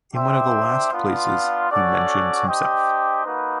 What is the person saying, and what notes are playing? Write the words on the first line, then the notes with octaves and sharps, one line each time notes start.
In one of the last places, he mentions himself.
D4 G4 C5 E5 G5
B3 D4 F4
C#4 F#4 A4 D5 F#5
D4 G4 C5 D#5 G5
A#3 D#4 F#4 B4